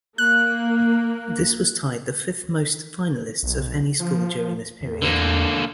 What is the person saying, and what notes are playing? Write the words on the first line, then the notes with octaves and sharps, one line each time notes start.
This was tied the fifth most finalists of any school during this period.
A#3 F#6
B1
F3
E2
D3 A#3